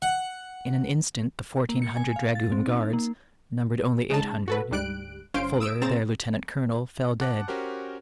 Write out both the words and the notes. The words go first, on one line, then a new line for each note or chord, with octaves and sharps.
In an instant the fourteen hundred dragoon guards numbered only eight hundred. Fuller, their lieutenant-colonel, fell dead.
F#5
A#3
C#7
G#5
F5
A6
C4
D#4
A#3
C#3 G#3 D#4 A5
F#4 A4 B4
D2 G#2 G3 F#6 D7
G1 C#4 C5 F5 C6 D7
D#6 E6 D7
C#3 C4 A#5 A6 E7
F#5 A5 D6 F#6
C#4 F#4 G4 A#4 C5